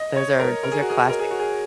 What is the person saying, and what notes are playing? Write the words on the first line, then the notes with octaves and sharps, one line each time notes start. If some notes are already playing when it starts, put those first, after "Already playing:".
Those are those are classics.
Already playing: D#5
C#5
A#4
A#4
G#4
F#4
G#4
A#4
G#4
F#4
G#4